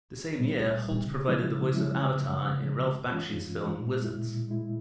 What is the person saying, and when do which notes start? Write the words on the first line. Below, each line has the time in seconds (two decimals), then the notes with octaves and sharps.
The same year, Holt provided the voice of Avatar in Ralph Bakshi's film "Wizards".
0.13 C2
0.37 A#2 G3
0.59 C2
0.82 A#2 G3
1.06 C#3
1.28 F3 G#3 C#4 E4
1.50 C#3
1.74 F3 G#3 C#4 E4
1.97 C#3
2.19 F3 G#3
2.42 C#3
2.65 F3 G#3
2.87 G2
3.11 E3 G#3 C#4 F4
3.34 G2
3.56 E3 G#3 C#4 F4
3.79 A#2
4.01 G#3 E4
4.24 A#2
4.48 G#3 E4